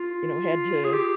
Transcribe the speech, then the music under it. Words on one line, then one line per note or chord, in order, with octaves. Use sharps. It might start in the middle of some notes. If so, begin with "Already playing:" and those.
you know, had to
Already playing: F4
G#4
G4